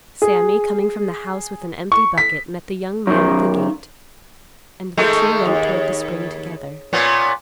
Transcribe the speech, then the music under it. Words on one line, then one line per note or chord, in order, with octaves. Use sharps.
Sammy coming from the house with an empty bucket met the young man at the gate, and the two went toward the spring together.
G#4
C#6
B6
F#2 D#3
D#3 G#3 A3
D#2
A#2 B3 C#4